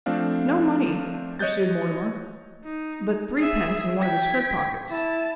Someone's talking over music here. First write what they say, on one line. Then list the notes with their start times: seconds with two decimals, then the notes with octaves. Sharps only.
'No money,' pursued Mortimer; 'but threepence in one of the skirt-pockets.'
0.06 F3 A3 C4 D4 F5
1.39 C#5 D#5 F#6 G6 A6
2.64 D#4
3.38 G#4 E5
4.01 G5 G#6 B6
4.91 E4 A5